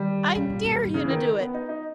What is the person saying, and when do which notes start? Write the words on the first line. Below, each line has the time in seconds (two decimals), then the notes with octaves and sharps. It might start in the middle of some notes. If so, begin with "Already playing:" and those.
I dare you to do it!
Already playing: D#3 G3
0.35 C#3
0.50 A#2
0.64 A#2
0.75 E2
0.85 G2
0.94 C#3
1.04 E3
1.10 D#3
1.39 B3
1.54 D#4
1.69 D#4